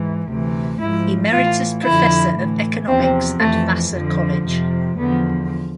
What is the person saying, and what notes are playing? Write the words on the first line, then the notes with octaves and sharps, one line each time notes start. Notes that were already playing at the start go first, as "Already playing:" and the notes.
Emeritus Professor of Economics at Vassar College.
Already playing: G#2 E3
D2 C3 E3
G#2 F3 E4
A2 E3 F4
F2 D3 F3 E4
A2 E3
E2 C3 F3 C4
F2 E3 A3
F2 D3 F3
F2 C3 F3
E2 D3 F3 B3